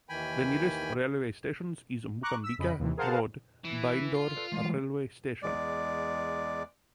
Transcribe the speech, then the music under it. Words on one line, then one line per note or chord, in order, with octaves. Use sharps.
The nearest railway stations is Mookambika Road Byndoor railway station.
D#2 D#3 E3 G5 G#5 B5
A#5 C#6 D6 F#6
E6 B6
F2 C#3 D#5 B5
D#2 C3 E3
G#4 A#4 C5 F5 F#5 A5
E3
F4
A4 B4 D5
E3 G#3 A3
E2 G#3 D5